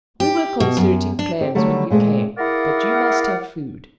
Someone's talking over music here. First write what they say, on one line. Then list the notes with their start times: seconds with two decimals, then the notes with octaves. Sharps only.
"We were concerting plans when you came; but you must have food."
0.20 G4
0.60 B2
0.77 F#2
1.19 D4
1.41 C4 G4
1.55 D3 F#3 G3 A3
1.90 A#2 G#3 A3 C4
2.37 E4 G#4 A#4 D5 F5 F#5